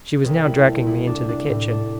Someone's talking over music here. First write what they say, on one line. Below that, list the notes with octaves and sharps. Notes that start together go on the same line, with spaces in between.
She was now dragging me into the kitchen.
C2
E4
A3
E4
D4
D4
A2
D4